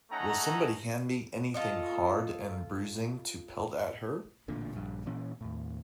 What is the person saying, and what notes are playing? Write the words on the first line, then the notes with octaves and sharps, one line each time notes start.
Will somebody hand me anything hard and bruising to pelt at her?
A3 C#4 D#4 F#5 A5 A#5
F4 A4 D#5
A1 A#2 D3
A#1 G2
A#2 E3 C#4
D#2 A2